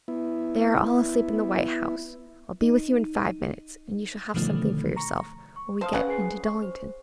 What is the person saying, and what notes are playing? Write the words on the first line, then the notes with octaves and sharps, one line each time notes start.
They are all asleep in the "White House." I'll be with you in five minutes, and you shall have something for yourself when we get into Dollington.'
B3 E4
D#4
B2 D3 D#3 F3 A3
A#5 C#6
C#6
C5 F5 A5 D#6
C#4 B4 F5 F#5
G#4 G#5 C7
C#6
C5